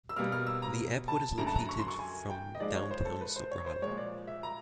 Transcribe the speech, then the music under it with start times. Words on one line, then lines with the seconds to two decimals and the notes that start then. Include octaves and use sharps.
The airport is located from downtown Sobral.
0.09 E6
0.17 B2 G3 A#3 F6
0.32 F6
0.47 E6
0.62 A#5
1.08 A5
1.38 F#2 D3 F#3 A3 A#5
1.47 A5
1.55 A#5
1.69 C#6
1.79 C6
1.88 C#6
1.99 G#5
2.30 G5
2.55 D#5
2.60 G#2 F3 G#3 D5
2.76 C#5
2.91 C5
3.05 A4
3.21 B4
3.36 C5
3.51 C#5
3.66 C5
3.82 A#2 F3 G#3 C#5
3.98 D5
4.28 E5
4.43 A#5